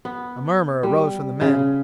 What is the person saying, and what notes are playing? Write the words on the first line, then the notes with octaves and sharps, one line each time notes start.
A murmur arose from the men.
B3
G3
C#3